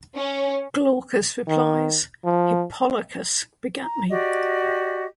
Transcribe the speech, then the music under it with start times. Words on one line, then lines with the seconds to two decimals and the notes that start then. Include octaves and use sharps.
Glaucus replies: Hippolochus begat me.
0.16 C#4
1.48 D#3
2.24 F3
3.83 A#5
4.09 F#4 G4 D5 D#5